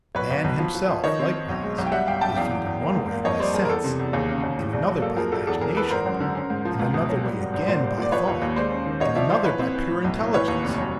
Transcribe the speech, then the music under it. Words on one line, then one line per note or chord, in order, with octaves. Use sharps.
Man himself, likewise, is viewed in one way by Sense, in another by Imagination, in another way, again, by Thought, in another by pure Intelligence.
B1 B4 C#5
B1
B1
F3
F3
F3
D#3 C#5 D#5
C4
C4
B1
G#3
B1
G5
G3 E5 F#5
G1 F5 G5
F#2 G5 A5
E2 F5 G5
E2
E2
A#3
G#2
A#3
F2 C#5 D#5
G3 C5 D5
G3 G#4 A#4
A#4
E2 A4
C3
E2
D#2 G#4
C#3
D#2
A2
A#1
F#3
A#3 A4
F3 G#4 A#4
A#1 A4
E2 A4
E3 G#4 A#4
E3 A4 B4
G#1 A#4 C5
F#2
D3
C#4
G#2
F3
C#2
B2
F#3
G3
G#1
G#1
A#2 C5 D5
G3
A#2 D5
F3 B4 C#5
D#2
D#2
G#3 C5 D5
C#4
D#3
C2 C#5 D#5
F3 D5 E5
F3 C5 D5
E3 B4 C#5
C4
E3
A2
B1
A2
E3 B4 C#5
D#2
F1
F#3